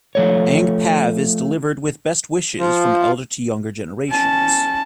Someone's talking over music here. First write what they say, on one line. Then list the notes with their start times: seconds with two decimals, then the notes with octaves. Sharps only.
Ang Pav is delivered with best wishes from elder to younger generations.
0.15 F3 A3 C#5
2.59 F3
4.10 C#4 A5